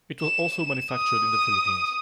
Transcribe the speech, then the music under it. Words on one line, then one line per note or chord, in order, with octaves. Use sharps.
It was also manufactured in the Philippines.
E7
D#6